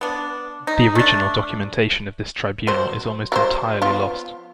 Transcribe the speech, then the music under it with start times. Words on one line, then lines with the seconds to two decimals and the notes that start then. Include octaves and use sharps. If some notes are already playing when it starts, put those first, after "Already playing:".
The original documentation of this tribunal is almost entirely lost.
0.01 B3 D4
0.67 D#4
0.95 A3 D4
2.67 F#3 C5
3.32 F#3 G3 C5
3.82 F3 B3 F4